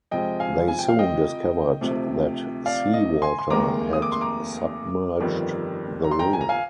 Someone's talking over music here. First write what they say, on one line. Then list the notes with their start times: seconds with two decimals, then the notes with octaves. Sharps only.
They soon discovered that seawater had submerged the room.
0.11 F2 C3 F3 G#3 D#5 G5
0.40 F5 G#5
0.68 G#5
0.79 G5
0.88 F5
0.99 D#5 G5
1.81 D2 C3 F3
2.66 D5 F5
2.93 D#5
3.22 G#5 C6
3.39 C6
3.50 F1 D#2 D#3 G#3 A#5 D6
3.93 D#6
4.02 D6
4.12 C6
4.21 A#5 D6
5.20 G1 F2 D#3 G3
6.04 A#5
6.11 C6
6.19 G5 A#5
6.33 G#5
6.41 A#5
6.49 F5 G#5